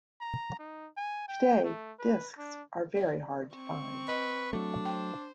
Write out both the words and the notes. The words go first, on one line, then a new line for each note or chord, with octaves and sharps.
Today, disks are very hard to find.
A#5
D#4
G#5
G5
A3
B4
D4
D5
C4 C#6
B4 D#5
F#3 A3 D4
C5 G5